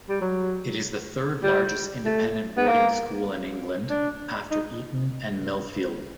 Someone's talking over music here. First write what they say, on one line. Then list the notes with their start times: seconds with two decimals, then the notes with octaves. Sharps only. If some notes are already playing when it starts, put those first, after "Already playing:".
It is the third largest independent boarding school in England, after Eton and Millfield.
0.10 G3
0.21 F#3
1.44 G3
2.05 A3
2.57 B3
2.68 A#3
3.90 D4
4.51 D#4